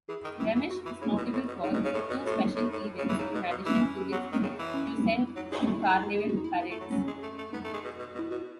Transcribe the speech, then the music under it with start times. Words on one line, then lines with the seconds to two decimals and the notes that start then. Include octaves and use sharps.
Remich is notable for two special events in addition to its Fuesend Karneval parades.
0.09 E3 G#4
0.24 D#3
0.39 E3
0.55 E3
0.71 F#4
0.85 E3
1.01 C#3 E4
1.17 B2
1.33 A2
1.48 B2
1.63 C#3 D#4
1.74 B2
1.84 C#3
1.94 A2
2.10 B2
2.25 A2 F#4
2.56 A2 D#4
2.72 A2
2.98 C#3
3.09 E3
3.19 C#3 D#4
3.34 B2
3.50 B2
3.66 E3
3.81 C#4
4.01 C#4
4.12 F#3 B3
4.32 D#3
4.43 C#3
4.59 E3
4.74 C#4
5.27 E4
5.36 F#3 D#4
5.51 G#3
5.67 A3 F#4
5.74 E4
5.82 G#3 D#4
5.89 E4
6.18 G#4
6.29 F#4
6.37 D#4
6.44 E4
6.60 B3
6.71 A3
6.80 F#3
6.91 F#3 C#4
7.07 G#3
7.22 A3
7.38 A3
7.53 B3 D#4
7.64 A3
7.73 G#3
7.84 B2
7.99 B2
8.15 B2
8.19 E4
8.31 B2 F#4